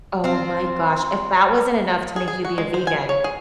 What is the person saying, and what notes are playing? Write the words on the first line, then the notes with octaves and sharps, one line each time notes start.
Oh my gosh, if that wasn't enough to make you be a vegan.
C4 F4
G#4
G#4
F#4
G#3
C5
G#5
C#5
G#4